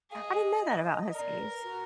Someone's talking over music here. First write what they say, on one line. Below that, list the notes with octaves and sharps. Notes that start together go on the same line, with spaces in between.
I didn't know that about Huskies.
G#4 D#5 F5
A#4 D5
B4
F#4